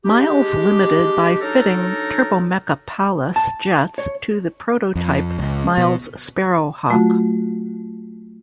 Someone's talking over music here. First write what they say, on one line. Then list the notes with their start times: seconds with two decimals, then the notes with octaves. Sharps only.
Miles Limited by fitting Turbomeca Palas jets to the prototype Miles Sparrowhawk.
0.05 G#3 D4 G4
1.41 F#3 D4 D#4 A4 A#4
3.36 A5
3.98 C#5
4.95 F2
5.39 C#2
5.78 B2
6.89 F#3 A3 F4 F#4